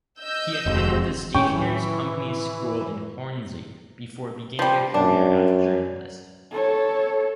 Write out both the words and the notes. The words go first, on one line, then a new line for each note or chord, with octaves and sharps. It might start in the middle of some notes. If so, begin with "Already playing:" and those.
He attended the Stationers' Company's School in Hornsey before beginning a career as journalist.
D#5 E6 G6
F1 D#2 G#3 C4 F#4
A2 D#3 E3 C#4 G5 C#6
F3 G3
F#2 D4
A4 C#5